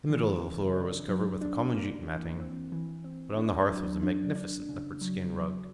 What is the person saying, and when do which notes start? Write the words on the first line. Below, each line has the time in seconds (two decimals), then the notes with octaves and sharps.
The middle of the floor was covered with a common jute matting, but on the hearth was a magnificent leopard-skin rug.
0.10 E3
0.42 C#3
0.76 D4
1.08 F#3
1.41 D4
1.74 A#3
2.07 E3
2.40 C4
2.72 E3
3.04 C4
3.37 D4
3.70 F#3
4.03 D4
4.35 D4
4.69 C#3
5.01 F#3
5.34 F#3